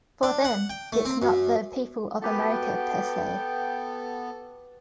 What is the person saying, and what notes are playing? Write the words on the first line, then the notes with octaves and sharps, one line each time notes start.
For them, it's not the people of America, per se.
D4
F#5
G5
A3
C4
F#2
B3 F#4 G4 A4 B4 G5